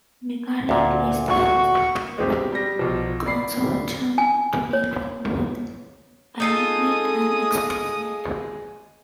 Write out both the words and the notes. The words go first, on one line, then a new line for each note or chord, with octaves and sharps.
MegaLink is the first Philippine consortium to link with both BancNet and Expressnet.
D2 A#2
F#4 C#6
G#3 C4 G4
G3 A#6
B1 F3
D5 B5 C7
G#5
C#5
G#3 D#4 F4 A4 D#6